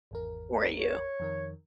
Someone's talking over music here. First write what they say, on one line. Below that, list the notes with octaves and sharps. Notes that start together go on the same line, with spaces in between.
for you.
G#1 E2 A#4
C#5
F2 D#3 A#4